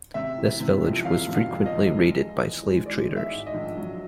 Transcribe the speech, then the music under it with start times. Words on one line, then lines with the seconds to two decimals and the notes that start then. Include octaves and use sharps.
This village was frequently raided by slave traders.
0.14 C3 E5
0.38 E3
0.60 C3
0.83 F2
1.05 F1 F5
1.28 C3
1.35 F5
1.51 F2
1.66 D#5
1.73 F1
1.96 G#3
2.18 G#3
2.41 E3
2.63 G#3
2.86 G#3 D5
3.09 G#3
3.16 E5
3.31 G#2
3.46 D#5
3.54 A#1
3.77 F#3